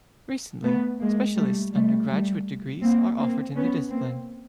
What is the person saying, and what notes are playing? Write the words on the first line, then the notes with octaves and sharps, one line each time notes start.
Recently, specialist undergraduate degrees are offered in the discipline.
A3 B3
G#3 A#3
G3 A3
G3 A3
G3 A3
A#3 C4
A#3 C4
B3 C#4
A#3 C4